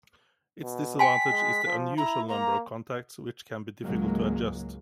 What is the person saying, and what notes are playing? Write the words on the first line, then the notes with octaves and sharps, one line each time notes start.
Its disadvantage is the unusual number of contacts, which can be difficult to adjust.
B2
G5 G#5 C6 B6
G#3
F3
E4 A#5
A#3 A#5
C#2 G#2 F#3 G#3 A#3